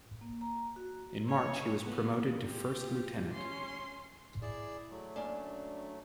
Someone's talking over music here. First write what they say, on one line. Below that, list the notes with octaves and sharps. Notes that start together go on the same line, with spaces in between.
In March he was promoted to first lieutenant.
A#3
A#5
F#4
C#5
B3
F4 G4
C#4 C6
E4 G#4 D5
F#3 A3
A#3 C#4 D4